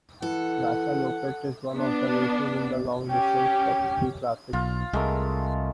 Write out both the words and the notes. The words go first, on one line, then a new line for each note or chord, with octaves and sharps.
Vasaloppet is one of the races in the long distance cup Ski Classics.
E3 A4 F#5
B3 D4
C#4 G4 G5
B1 F4
C2 G#3 A3 A#4